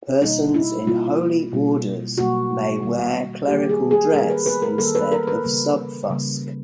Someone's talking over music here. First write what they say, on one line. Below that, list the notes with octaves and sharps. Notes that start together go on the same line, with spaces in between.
Persons in Holy Orders may wear clerical dress instead of "subfusc".
B2 G3 A#3 D#4
E4
B2 G3 A#3 F4
B2 G3 A#3
B2 G3 A#3 F#4
D#3 G3 A#3
D#3 G3 A#3 G4
G#4
G#4
D#3 G3 A#3 A#4
B4
B4
A#4
D#3 G3 A#3 A4
B4
A#4
B4
C#3 E3 G3 A#3
C#3 E3 G3 A#3